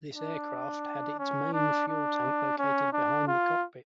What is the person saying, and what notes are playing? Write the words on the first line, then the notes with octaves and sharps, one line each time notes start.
This aircraft had its main fuel tank located behind the cockpit.
D4
C#4
D4
D4
C#4
D4
F4